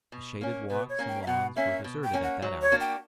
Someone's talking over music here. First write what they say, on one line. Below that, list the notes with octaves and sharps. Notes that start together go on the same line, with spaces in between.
The shaded walks and lawns were deserted at that hour.
B2
A#3 C#4
B2 B4
C#5
A#3 C#4
G5
E5
B2 F#5
A#3 C#4 E5
B2
G5
A#3 C#4
F#5
F#3
C#5
A#3 D4 F#4
G5